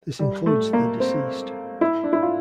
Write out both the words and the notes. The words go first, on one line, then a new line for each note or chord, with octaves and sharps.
This includes the deceased.
G3
A3
A#3
C4
E4
D4
E4
F4